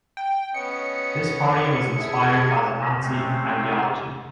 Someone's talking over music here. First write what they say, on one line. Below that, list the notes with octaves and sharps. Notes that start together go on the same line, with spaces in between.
This party was inspired by the Nazi ideology.
G5
B3 C#4 D#5 C#7
E4 G#4 A4
C3 G#3 A3 C4 C#4